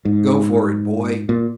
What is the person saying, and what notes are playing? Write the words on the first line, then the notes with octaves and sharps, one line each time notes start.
Go for it, boy.
G#2
A#2